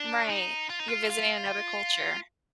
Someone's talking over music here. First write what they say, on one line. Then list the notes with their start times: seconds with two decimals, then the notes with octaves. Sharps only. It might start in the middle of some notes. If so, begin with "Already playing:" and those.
Right, you're visiting another culture.
Already playing: D4
0.29 D#4
0.70 F4
0.79 D#4
0.88 F4
1.10 F4